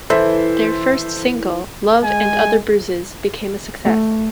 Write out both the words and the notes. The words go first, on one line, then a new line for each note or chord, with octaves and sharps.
Their first single, "Love and Other Bruises", became a success.
E3 A4 C5 E5
G#3 G#5
A3